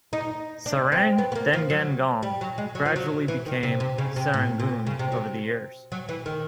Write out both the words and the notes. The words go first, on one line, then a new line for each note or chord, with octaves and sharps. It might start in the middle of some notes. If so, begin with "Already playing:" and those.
"Serang dengan gong" gradually became Serangoon over the years.
D#4
D4
C4
B3
B3
A#3
F3
F#3
G3
F#3
G#3
F#3
F3
F#3
E3
D#3
C3
C3
C#3
C3
A2
A#2
C#3
C3
F#3
F#3
E3
D#3